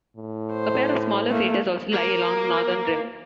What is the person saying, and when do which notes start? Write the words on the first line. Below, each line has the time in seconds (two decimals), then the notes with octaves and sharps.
A pair of smaller craters also lie along the northern rim.
0.16 A2
0.52 C5
1.30 A3 A#3
1.93 A#3